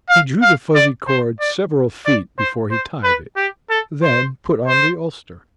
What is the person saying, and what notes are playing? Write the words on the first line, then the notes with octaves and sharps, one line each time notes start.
He drew the fuzzy cord several feet before he tied it, then put on the ulster.
F5
F5
D5
C5
D5
D5
C5
C5
B4
G4
A4
C5
C5